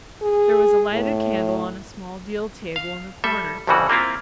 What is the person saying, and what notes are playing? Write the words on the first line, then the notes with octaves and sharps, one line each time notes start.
There was a lighted candle on a small deal table in the corner.
G#4
A2
F5
G3 A4 E5
C2 F2 C#3 E3 G3 F#4
A#3 C4 E4 F4